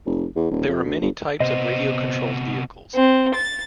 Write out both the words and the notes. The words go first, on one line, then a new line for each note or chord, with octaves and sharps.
There are many types of radio controlled vehicles.
F1
E2
D#1
F2
D2
G1
C3 B3 C5 D#5
C4
A6